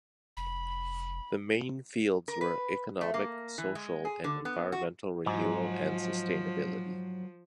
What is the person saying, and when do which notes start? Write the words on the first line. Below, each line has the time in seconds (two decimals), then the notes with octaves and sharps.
The main fields were economic, social, and environmental renewal and sustainability.
0.37 F1 B5
2.28 A#4
2.41 B4
3.01 A3
3.14 A#3
3.58 E3
3.75 G#3
4.05 G#4
4.24 D3
4.45 B3
4.72 F#4
5.26 G#2 F3 F#3